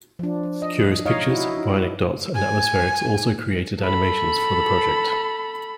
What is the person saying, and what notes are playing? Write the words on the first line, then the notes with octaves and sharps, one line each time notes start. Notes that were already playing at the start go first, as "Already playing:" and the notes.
Curious Pictures, Bionic Dots, and Atmospherex also created animations for the project.
F3 D4
D#5
D#4 C#5 D#5 F5
E4 F#4
D#4
G#5
A4 B5